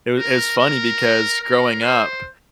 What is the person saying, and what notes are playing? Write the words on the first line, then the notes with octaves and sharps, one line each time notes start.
it was it was funny because growing up,
A#4
A#4
A#4
C5